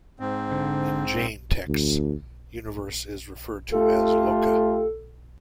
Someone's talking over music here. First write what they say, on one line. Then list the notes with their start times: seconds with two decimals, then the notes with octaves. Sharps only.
In Jain texts, universe is referred to as Loka.
0.20 G#2 C4
0.52 D3
1.67 D2
3.72 A3 F4 G4 A4